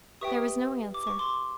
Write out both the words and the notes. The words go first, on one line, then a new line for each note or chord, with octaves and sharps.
There was no answer.
G4 B4 E5 G5 C#6 D#6
D6
C#6
C6 D6